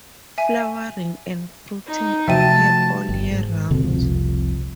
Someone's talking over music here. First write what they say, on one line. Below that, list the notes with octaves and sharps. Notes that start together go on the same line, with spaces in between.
Flowering and fruiting occur all year round.
E5 G#5
D#4
C3 F3 A3 F#4 E5 G5 A5 D#7
G1
G#2
D#1 B2 D3 C4
F1 C2 C3 F3